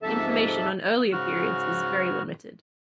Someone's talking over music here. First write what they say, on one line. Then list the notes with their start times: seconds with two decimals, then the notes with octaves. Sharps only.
Information on earlier periods is very limited.
0.03 G#2 C3 F3 A4 E5 A5
1.12 G#2 C#3 F#4 F6 F#6